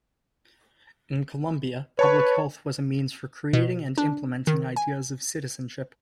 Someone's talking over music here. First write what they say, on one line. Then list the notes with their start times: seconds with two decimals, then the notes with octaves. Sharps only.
In Colombia, public health was a means for creating and implementing ideas of citizenship.
1.99 B4 C#5 A5 C#6
3.53 B2
3.98 D4
4.47 D#3
4.76 G#5